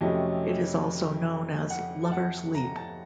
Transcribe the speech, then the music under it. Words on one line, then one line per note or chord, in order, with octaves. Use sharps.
It is also known as "Lover's Leap".
F2 C3 F#3 A3 C#4 D#5
F#5
A5
F#5
A#5
A5